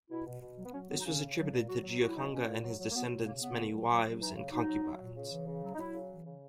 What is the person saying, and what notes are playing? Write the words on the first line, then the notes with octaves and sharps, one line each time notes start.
This was attributed to Giocangga's and his descendants' many wives and concubines.
B2 E4
B2
B2
F#3
B3
F#3 C#4
F#3 B3
D#4
C#3 C#4
C#3
F#3
A#2
F#3 F#4
F#3
F#3 F#4
E4
B2 D#4
E4
F#3 C#4
A#2
F#3
F#3
A#3
F#3 B3
B2
C#3 A#3
C#3 B3
A#2
F#3
F#3
F#3
E3 D#4
C#3
F#3 D#4
F#3
F#3
A#2
C#3
E3
C#3
F#3
D#4
F#3 E4
C#3
E3
C#3